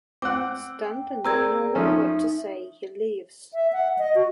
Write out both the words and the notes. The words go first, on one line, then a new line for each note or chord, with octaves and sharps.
Stunned and not knowing what to say, he leaves.
C4 F#5 D6 E6
G5
C4 G#4 A#4 D5 A#5 E6 G#6
F3 A3 C#4 D#4 E5
E5
F#5
D#5
F#4